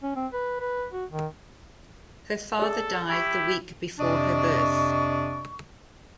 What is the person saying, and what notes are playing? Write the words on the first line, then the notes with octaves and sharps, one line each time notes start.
Her father died the week before her birth.
C#4
C4
B4
B4
F#4
D#3
G#4 A4 D5
E4 G4 B5 C#6
F2 C3 D4 D5 D#5 C#6